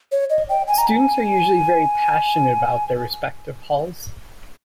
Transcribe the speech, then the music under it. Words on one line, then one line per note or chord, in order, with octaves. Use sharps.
Students are usually very passionate about their respective halls.
C#5
D#5
G5
G#5
A#5
G#5